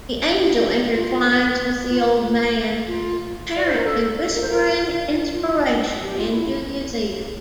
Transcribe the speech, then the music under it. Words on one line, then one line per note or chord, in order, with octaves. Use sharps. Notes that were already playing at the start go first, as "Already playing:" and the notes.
The angel intertwines with the old man, apparently whispering inspiration into his ear.
F4
F4
F4
D5
C5
A#4
A4
A#4
C5
A#4
F4
G4
F4
E4